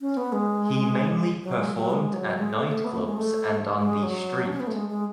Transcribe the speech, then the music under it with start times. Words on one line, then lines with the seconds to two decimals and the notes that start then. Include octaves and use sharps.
He mainly performed at nightclubs and on the street.
0.01 C#4
0.17 B3
0.32 G#3
1.43 F#3
1.59 G#3
1.75 F#3
1.91 G#3
2.14 F#3
2.38 G#3
2.53 A3
2.69 A3
2.84 B3
2.95 A3
3.06 G#3
3.17 A3
3.79 G#3
4.03 F#3
4.46 D4
4.53 C#4
4.60 B3
4.67 A3
4.74 G#3
4.90 G#3